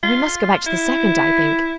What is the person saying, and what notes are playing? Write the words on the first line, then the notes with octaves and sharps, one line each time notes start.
'We must go back to the second, I think.
F4
E4